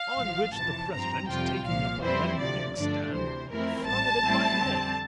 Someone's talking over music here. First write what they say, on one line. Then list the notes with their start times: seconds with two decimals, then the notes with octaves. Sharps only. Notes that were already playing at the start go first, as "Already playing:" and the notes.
On which the President, taking up a leaden inkstand, flung it at my head.
Already playing: F5
0.17 A1 A2 F3
0.53 F2 C3 E3 A5
0.91 G2 F3 C4 A#5
1.27 F2 C3 G3 C4 F4 G5
1.64 C2 A#2 F3 F5
2.01 F2 E3 G3 C4 E4 C5
2.38 D2 C3 F3 D5
2.75 G2 D3 F3 A3 D4 D5
3.12 D2 C3 E3 C5
3.49 F2 E3 A3 C4 E4 A#4
3.85 A1 A2 G3 A5
4.22 A2 G3 C4 E4
4.59 F2 D3 G3 C4